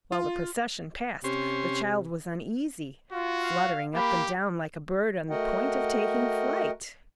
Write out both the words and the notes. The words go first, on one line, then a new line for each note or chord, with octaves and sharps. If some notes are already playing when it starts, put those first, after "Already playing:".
While the procession passed, the child was uneasy, fluttering up and down, like a bird on the point of taking flight.
F4
C3 C#4 C5
F4 F#4
F5
A#3 G4 B5
A3 F#4 A#4 D#5 F#5 G5